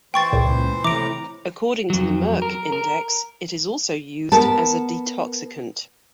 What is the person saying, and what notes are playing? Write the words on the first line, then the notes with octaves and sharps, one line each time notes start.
According to "The Merck Index", it is also used as a detoxicant.
E3 C5 G5 C#6 A6
C#2 A#2
A2 C3 E3 A#5 D6 D7
F2 F#3
A#4
A#4
B3 A#4 A5